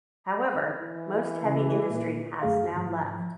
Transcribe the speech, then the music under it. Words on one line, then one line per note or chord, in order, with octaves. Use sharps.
However, most heavy industry has now left.
E3
C#3
A#2
F#2 A3 G#4 F5
G#2 F3